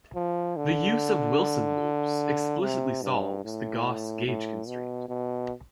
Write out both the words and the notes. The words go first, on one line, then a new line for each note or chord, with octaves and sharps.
The use of Wilson loops explicitly solves the Gauss gauge constraint.
F3
D3
C3
G2
A2
A2
B2
B2